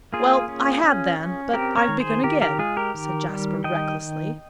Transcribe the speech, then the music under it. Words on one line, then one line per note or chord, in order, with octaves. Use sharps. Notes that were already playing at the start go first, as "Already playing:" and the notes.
"Well, I had then, but I've begun again," said Jasper, recklessly.
A#3 F4 G#4
C#4
C#4
C#4
C4 G4 A#4
A#4 C#5
D#3
G#4 C5
D#3 G4 A#4
G4 A#4
G#3 F4 G#4
G4 A#4
D#3
G3
D#3 D#5 G5